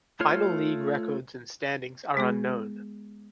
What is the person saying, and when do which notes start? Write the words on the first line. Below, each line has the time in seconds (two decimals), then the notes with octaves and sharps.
Final league records and standings are unknown.
0.20 A3 F4 C#5 F6
2.17 G#3 B3 G#4